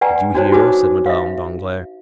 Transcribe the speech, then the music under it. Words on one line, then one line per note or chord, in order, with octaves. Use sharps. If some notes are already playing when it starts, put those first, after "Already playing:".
"Did you hear?" said Madame Danglars.
B4 D5 F#5 G#5 A#5
D4 D#4 F#4 C5 C#5
D#4 F#4 B4 G#5 D6 D#6
E5 F5